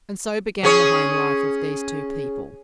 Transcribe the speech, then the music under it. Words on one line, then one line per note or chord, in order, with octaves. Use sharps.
And so began the home life of these two people.
C#4 G#4 C#5